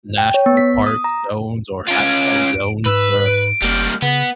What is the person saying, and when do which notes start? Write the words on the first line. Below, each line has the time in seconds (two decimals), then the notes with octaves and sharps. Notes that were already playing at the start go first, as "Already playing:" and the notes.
national park zones or habitat zones where
0.18 G5
0.34 C#5
0.46 B3
0.57 B6
0.87 D#6
1.04 A#5
1.88 C#4 F4 D7
2.86 G#2 B4 E6
3.26 D7
3.62 F#1 G3 A#3
4.02 C#3 B3 B6